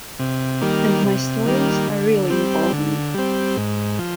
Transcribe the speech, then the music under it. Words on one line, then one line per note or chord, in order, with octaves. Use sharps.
And my stories are really involving.
C3
D#3 G3 A#3
C3
D#3 G3 A#3
D3
G3 C4
D3
G3 C4
G#2
F3